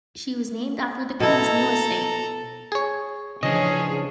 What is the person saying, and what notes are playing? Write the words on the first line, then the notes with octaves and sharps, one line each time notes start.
She was named after the Queen's new estate.
B2 E4 A4 A#5
G#4 C#5
C#3 E3 F3 C#4 D4 G#4 C#5 D#5